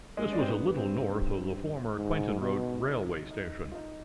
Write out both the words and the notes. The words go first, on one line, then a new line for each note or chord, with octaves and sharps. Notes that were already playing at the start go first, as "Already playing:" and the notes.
This was a little north of the former Quainton Road railway station.
G2 G#3
D4
C4
B3
C4
G#2
B2 D#4
D#4
D#4
F4
D#4